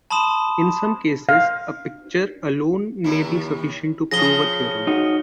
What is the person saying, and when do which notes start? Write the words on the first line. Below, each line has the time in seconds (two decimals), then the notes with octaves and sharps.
In some cases, a picture alone may be sufficient to prove a theorem.
0.10 A5 B5 C6 D#6 E7
1.29 F5
3.04 D#2 E4
4.11 C#3 F3 G#4 A#6 G7
4.87 D#4 F#4